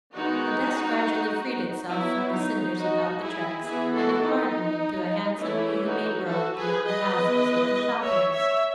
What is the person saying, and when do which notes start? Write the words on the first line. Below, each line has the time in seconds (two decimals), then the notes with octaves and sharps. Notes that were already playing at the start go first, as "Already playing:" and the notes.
The dust gradually freed itself from the cinders about the tracks, and it hardened into a handsome, newly made road beyond the houses of the shop hands.
0.14 D#3 G#3 B3 D#4 F#4
1.89 F#3 B3 E4
2.33 D#4
2.77 D#4 F#4
3.21 E4 G#4
3.64 E3 B3 E4 G#4
3.94 F#4 A4
4.23 D#4
5.40 E3 A3 C#4 E4
5.84 D#4 F#4
6.27 F#4 A4
6.57 G#4 B4
6.86 B4 D#5
7.15 E3 G#3 B3
8.03 C#5 E5
8.32 C#5 E5